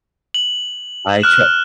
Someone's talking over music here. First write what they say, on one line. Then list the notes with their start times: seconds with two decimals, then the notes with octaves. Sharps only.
I tr
0.34 F#7
1.22 F6 F#6 E7